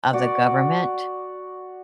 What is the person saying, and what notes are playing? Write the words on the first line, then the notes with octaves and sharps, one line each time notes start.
of the government
F#4 D5